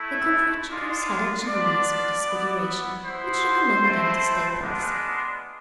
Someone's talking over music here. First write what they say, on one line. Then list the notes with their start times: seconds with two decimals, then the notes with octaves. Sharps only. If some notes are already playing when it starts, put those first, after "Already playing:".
The Comprachicos had a genius for disfiguration which recommended them to state policy.
Already playing: A3 E4
0.69 G#3 D4 F4
1.47 B3 D4 F4 D5
2.26 B3 E4
3.04 B3 E4 C5
3.83 A3 C4 E4
4.61 G#3 B3 D4 F4